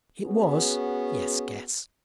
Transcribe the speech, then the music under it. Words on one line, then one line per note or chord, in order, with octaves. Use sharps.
It was--yes, guess!
B3 C#4 F#4 G#4